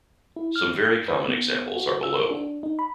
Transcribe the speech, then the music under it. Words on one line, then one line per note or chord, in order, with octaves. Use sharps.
Some very common examples are below.
E4
F6
G6
B4
B3
F#4
E6
D4
D#4
B5